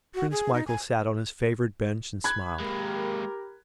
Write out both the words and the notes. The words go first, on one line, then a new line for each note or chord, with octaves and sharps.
Prince Michael sat on his favourite bench and smiled.
F#4
G#4
D#4
G#5
B5 F#6 G#6
G#3 A#3 G4 A#4